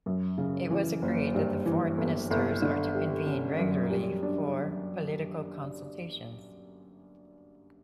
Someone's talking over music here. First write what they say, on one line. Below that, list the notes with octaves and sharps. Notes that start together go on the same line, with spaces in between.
It was agreed that the Foreign Ministers are to convene regularly for political consultations.
F#2
C#3
E3
F#1
G2
E3
G1
G1
D3
G3
C#4
F#2
G3
D4